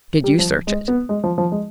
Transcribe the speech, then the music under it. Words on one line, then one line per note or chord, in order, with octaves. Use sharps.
"Did you search it?"
G3
F3
G#3
B3
G#3
F3
F3
G#3